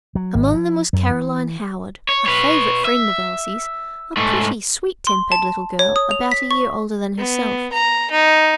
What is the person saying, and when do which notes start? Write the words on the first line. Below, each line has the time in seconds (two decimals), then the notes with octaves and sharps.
Among them was Caroline Howard, a favorite friend of Elsie's; a pretty, sweet-tempered little girl, about a year older than herself.
0.15 F#3
0.34 G#1
0.54 F3
0.93 F#2
1.10 E3
2.09 C#5
2.26 B4 C#5
2.85 E5
4.17 G#2 A3
5.07 C6
5.32 A5
5.79 C#5
5.96 D#6
6.11 F7
6.32 B6
6.51 C#6
7.18 B3
7.72 A#5
8.11 D#4